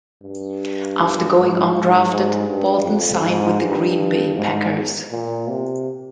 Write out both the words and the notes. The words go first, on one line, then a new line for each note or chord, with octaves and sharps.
After going undrafted Bolton signed with the Green Bay Packers.
G2
G#2
G#2
G#2
G2
F2
G#2
G2
G#2
A#2
C3